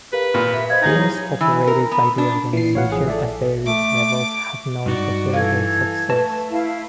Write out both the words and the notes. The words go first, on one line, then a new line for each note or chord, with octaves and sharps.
Teams operated by the organization at various levels have known considerable success.
G4 A#4 B4 F5
A#2 B5
E5
C5 D#5 F5 G#6
D#4 G#4 A#5
F#3 E4 C#5
E3
A#4
B3
D4
A#2 E3 C7
A1 C#5 F5 F#5
F3 G#4
A4 D5 E5
A3 D6
G2 D#4 F#4 D5
E3 A4 F5 G#6
A3 B4 A5
E4 F5